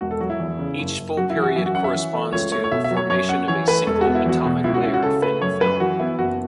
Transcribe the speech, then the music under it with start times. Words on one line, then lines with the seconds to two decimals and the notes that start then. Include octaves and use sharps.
Each full period corresponds to formation of a single atomic layer thin film.
0.01 E1 F#4
0.11 A4
0.20 F#3 F#4
0.30 E4
0.40 E2
0.59 C#3
0.79 F#1
0.98 F#1
1.17 F#2 F#4
1.30 E4
1.36 E3
1.43 F#4
1.56 F#2 E4
1.66 F#4
1.75 C#4 F#5
1.84 E5
1.95 E3
2.14 A3
2.33 C#2 C#5
2.52 A3 C#5
2.64 C#5
2.72 B2 E5
2.84 E5
2.91 F#3
2.97 C#5
3.10 F#2 C#5
3.29 C#4 F#5
3.48 E3 C#5
3.68 A3 B4
3.87 E1 A4
4.01 F#4
4.07 B3
4.15 E4
4.26 E2 F#4
4.46 B2
4.64 C#2 E4
4.74 F#4
4.84 C#4 E4
4.94 F#4
5.03 C#3 A4
5.22 A3 B4
5.41 F#2 C#5
5.61 F#2 B4
5.80 E3 F#4
6.00 B3 E4
6.18 F#1 F#4